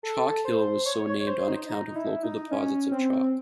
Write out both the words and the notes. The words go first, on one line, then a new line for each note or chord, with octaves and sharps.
Chalk Hill was so named on account of local deposits of chalk.
A4
C5
C#5
C#5
C#5
C5
D#4
D#4
E4
D#4
C#4
C4